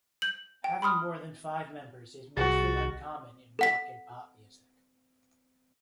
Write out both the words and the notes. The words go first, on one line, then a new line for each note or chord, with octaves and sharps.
Having more than five members is mostly uncommon in rock and pop music.
G6 F#7
G5
B5 C6 D#6 F6
C2 F#4 G#4 A6
A4 F#5 B6